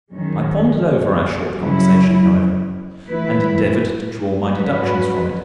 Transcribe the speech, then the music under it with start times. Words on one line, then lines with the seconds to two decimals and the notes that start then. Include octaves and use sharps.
I pondered over our short conversation, however, and endeavoured to draw my deductions from it.
0.10 F#2 D#3 G#3 C#4
1.59 C#3 F#3 C#4 E4
3.07 E3 A3 E4 B4
4.56 G#2 F#3 C#4 F#4 B4